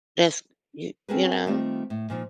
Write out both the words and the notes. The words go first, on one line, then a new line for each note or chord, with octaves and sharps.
that's y you know?
C4 C#4 F#4 G#4 A#4 B4
D#3 G3 A3 C4 F4
A2
A#2 F3 D#4